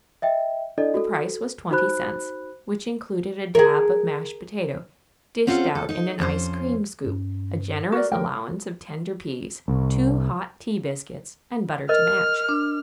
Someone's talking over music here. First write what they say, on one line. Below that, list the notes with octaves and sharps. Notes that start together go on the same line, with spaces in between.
The price was twenty cents, which included a dab of mashed potato dished out in an ice-cream scoop, a generous allowance of tender peas, two hot tea-biscuits and butter to match.
D#5 E5 G5
D4 E4 A4 D5 D#5
F#4 A4
D#4 F#4 C5 B5 F#6
G#4 A#4
C4 C#4 F4 F#4 A4 C5
A4
D#4
F2 C#4 G#4 C5
G2 C#4
F#4 A#4 D5
F3 A3 A#4 G5
C2
A#4 D#5 F6
D4